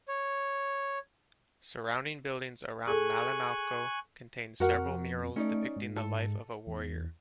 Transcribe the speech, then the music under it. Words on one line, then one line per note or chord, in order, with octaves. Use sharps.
Surrounding buildings around Malinalco contained several murals depicting the life of a warrior.
C#5
G#4 A4 G#5 C#6 F#6
F2 F#4 A#4 F#5
A3 C#4 D#4 D5
G#2
A4
E2